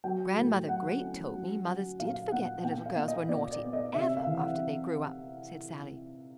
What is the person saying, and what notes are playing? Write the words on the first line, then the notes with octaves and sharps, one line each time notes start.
"Grandmother Great told me mothers did forget their little girls were naughty ever, after they grew up," said Sallie.
F#3 G5
A2
F#3 F#5
C#4
F#3
F#3
A#2 F5
A#2 F#5
A#2 G5
F5
A#2
D#5
A#2 D5
D5
B3
D#5
C3 E5
F5
E3
F#5